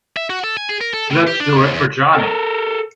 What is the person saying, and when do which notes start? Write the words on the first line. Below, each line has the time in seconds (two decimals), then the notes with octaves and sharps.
Let's Do It for Johnny!
0.17 E5
0.30 F#4
0.44 A4
0.57 G#5
0.69 G#4
0.81 A#4
0.93 A4
1.10 A2
1.27 G4
1.40 D4
1.56 D#2
1.73 E2
2.15 A4 A#4